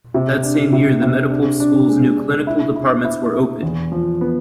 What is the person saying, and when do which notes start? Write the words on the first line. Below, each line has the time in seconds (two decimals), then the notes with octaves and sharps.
That same year, the Medical School's new clinical departments were opened.
0.14 C3
0.43 D4
0.73 C3
1.02 C3
1.30 D4
1.60 D4
1.88 G#3
2.17 D4
2.47 E4
2.76 E4
3.04 E4
3.34 E4
3.63 E2
3.92 F3
4.21 B3